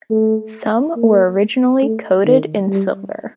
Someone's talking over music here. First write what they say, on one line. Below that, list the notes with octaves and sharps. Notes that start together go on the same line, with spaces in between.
Some were originally coated in silver.
A3
A#3
A3
D#3
G3